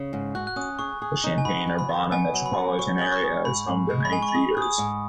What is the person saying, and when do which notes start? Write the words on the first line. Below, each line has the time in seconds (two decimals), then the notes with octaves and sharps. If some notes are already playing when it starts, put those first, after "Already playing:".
The Champaign-Urbana Metropolitan Area is home to many theatres.
Already playing: C#3
0.13 G#2
0.35 F#4 F#6
0.47 F#6
0.56 C#4 D#6
0.79 G#4 C#6
1.02 G#4
1.24 D#4
1.38 G#5
1.45 F#4 B5
1.67 F#4
1.79 B5
1.90 D#3
2.12 B3 G#5
2.34 F#3
2.46 B5
2.56 F#4
2.79 F#3 C#6
3.01 G#4
3.12 C#6
3.24 G#4
3.45 G#2 B5
3.68 G#2
3.90 G#3
4.05 B5
4.12 D#5 G#5
4.22 C#6
4.28 B5
4.35 G#4
4.57 G#4
4.62 D#6
4.78 G#2